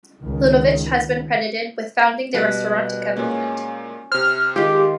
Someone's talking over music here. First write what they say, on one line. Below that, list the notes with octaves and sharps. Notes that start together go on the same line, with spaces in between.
Ludovic has been credited with founding the Restaurantica movement.
C#2 D#3
B2 G3 B4
A#2 G#3 A#3 C#4
C3 C5 F6
D#3 G#3 F4 G4 F5